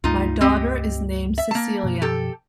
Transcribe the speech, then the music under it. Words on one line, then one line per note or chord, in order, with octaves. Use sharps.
My daughter is named Cecilia.
C#2 G2 A3 D#4 F4
C4 G4 D#5
E5
A#3 A5
F#2 B2 F3
G4 A4